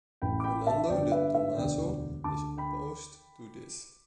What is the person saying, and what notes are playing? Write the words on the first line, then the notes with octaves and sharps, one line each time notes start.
Fernando de Tomaso is opposed to this.
A1 A2 E3 G5 B5
D6
G5 B5
E5 A5
G1 G2 D3 D5 G5
G5
B4 E5
B4 E5
E1 D2 D3 D5 G5
D2 D3 A5 D6
G5 B5